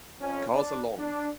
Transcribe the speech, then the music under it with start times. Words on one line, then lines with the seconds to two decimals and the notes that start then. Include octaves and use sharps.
Cars are long.
0.21 F2 C#4
0.54 D4
0.98 D4